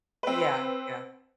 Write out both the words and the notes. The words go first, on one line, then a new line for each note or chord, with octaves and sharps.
Yeah. Yeah.
C4 B4